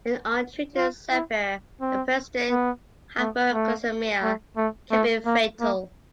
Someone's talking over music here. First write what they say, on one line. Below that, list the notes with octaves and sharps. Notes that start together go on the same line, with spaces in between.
An untreated severe and persistent hypoglycemia can be fatal.
F4
E4
C4
B3
A3
A3
A3
A3
A3
A#3
A#3